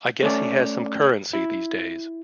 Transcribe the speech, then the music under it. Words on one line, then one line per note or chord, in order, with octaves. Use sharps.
I guess he has some currency these days.
A3 C#4 D5
E4